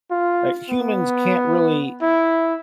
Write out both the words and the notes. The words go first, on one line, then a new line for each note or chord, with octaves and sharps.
uh, humans can't really
F4
B3
E4